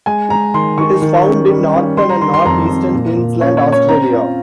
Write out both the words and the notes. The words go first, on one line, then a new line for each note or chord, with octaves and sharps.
It is found in northern and north-eastern Queensland, Australia.
G#3 G#5
G#3 A#5
D#3 C6
D#3 C#6
D#3
C#4
G3
C#4
G3 C6
A#5
D#3 C6
C6
F2 A#5
F2
A#2
A#2
C#4 C#5
C#5
C#4
C#5
C4 A#5
F4